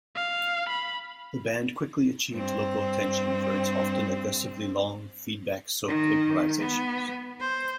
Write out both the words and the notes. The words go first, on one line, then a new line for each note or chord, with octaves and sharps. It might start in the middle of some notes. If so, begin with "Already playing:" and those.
The band quickly achieved local attention for its often aggressively long, feedback-soaked improvisations.
F5
B5
G2 C4
D#3
B3
C5